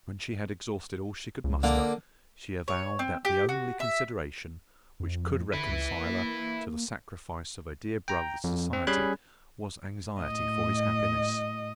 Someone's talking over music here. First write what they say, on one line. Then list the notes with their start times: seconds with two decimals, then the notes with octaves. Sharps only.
When she had exhausted all she could muster, she avowed that the only consideration which could reconcile her to the sacrifice of her dear brother's society was anxiety for his happiness.
1.44 C#2
1.63 D3 A#3
2.68 C#5
2.99 C4
3.25 G4
3.49 F#4
3.80 E5
5.00 F2
5.54 D3 E4 B4
5.69 C#2
5.97 A#3
8.08 G5 A#5
8.44 F2
8.73 C4
8.87 G3 C#4 G#4 B5 F#6 G#6
10.17 A2 D#5